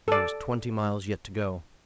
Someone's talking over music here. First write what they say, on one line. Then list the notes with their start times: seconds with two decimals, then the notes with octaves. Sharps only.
There was twenty miles yet to go.
0.08 A4 D5